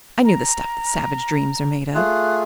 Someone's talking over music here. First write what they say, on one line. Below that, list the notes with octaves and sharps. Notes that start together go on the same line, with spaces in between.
I knew the stuff that savage dreams are made of.
A#5
A3 F4 G#4 F#6